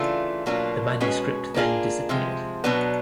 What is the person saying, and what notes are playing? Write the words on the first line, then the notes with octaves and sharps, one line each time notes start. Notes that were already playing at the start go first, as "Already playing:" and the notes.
The manuscript then disappeared.
Already playing: C#3 E3 A3 D4 F4
B2 F#3 A#3 D4 F4
B2 G#3 C#4 F#4 B4
A#3 D4 F4 G#4
C3 F3 G#3
B2 F#3 B3 D4